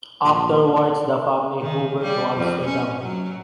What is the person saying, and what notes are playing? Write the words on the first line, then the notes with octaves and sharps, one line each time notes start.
Afterwards the family Huber to Amsterdam.
A#1
D#3
G3
F2
C#4
F#3